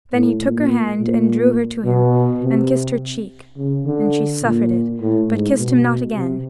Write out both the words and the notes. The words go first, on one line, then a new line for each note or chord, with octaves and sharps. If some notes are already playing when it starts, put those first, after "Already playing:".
Then he took her hand and drew her to him, and kissed her cheek, and she suffered it, but kissed him not again.
A2
A#2
A#2
B2
C3
C#3
D3
A#2
A2
G#2
B2
C3